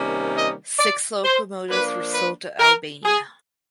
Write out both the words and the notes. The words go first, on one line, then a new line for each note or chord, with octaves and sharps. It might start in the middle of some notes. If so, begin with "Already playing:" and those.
Six locomotives were sold to Albania.
Already playing: C3 D#3 G3 A#3 C#4
D#5
D5
C5
F3 A#3 D4 B4
B4
A#4
G#4